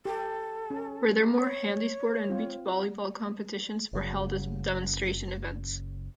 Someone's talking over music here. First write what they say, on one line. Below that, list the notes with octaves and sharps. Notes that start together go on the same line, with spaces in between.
Furthermore, handisport and beach volleyball competitions were held as demonstration events.
G4 A4
C#4
C#5
C4 F4
F#1 C#3 F#3